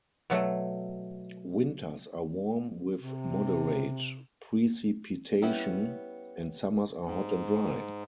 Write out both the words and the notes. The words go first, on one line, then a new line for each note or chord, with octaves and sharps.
Winters are warm with moderate precipitation, and summers are hot and dry.
B2 F#3 A3
C3
G3 B3 C#4 E4
G#2